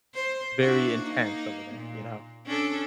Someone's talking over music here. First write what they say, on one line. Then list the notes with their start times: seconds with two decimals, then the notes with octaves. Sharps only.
very intense over there, you know?
0.14 C5
0.60 D4 E4 F#4
1.01 A#3 D#4
1.75 A#2
2.46 C#4 D4 A4